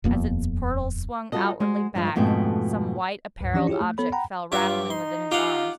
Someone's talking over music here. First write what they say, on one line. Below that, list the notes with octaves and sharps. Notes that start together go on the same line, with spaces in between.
As its portals swung outwardly back, some white-apparelled object fell rattling within his arms.
D#1 F2 A#3 B3
G3 F4 F#4 A4 D#5
G#3 F#4 C5
G2 F3 G#3 F4
F2 G#2 B2 A3 G5
C#2 G2
E3 F3 C#4 D4 G4 D5
E4 F4 G4 G#4 C#5
A3
B3 A4 C#5 B5
F#5 G5 A#5 B5
G2 F4 G4 E5
D#4 C6
F4 G4 F5 F#5